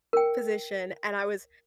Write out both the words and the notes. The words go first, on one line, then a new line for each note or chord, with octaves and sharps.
position, and I was
A#4 G5